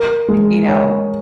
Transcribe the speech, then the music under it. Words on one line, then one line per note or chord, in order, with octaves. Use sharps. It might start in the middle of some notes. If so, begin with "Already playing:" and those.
you know,
Already playing: A#4
G#3
C#5